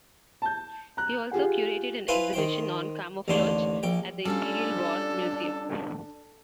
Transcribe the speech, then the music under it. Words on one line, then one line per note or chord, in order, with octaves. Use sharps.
He also curated an exhibition on camouflage at the Imperial War Museum.
A5 G6
A#5 F#6
F4 G4 G#4 F#5
E4 F4 B4 C5 G#5
D#3 C5 G5
A1 D#2 D3 D4 C6
A#1 G5
G3 C#4 D4 F4 A4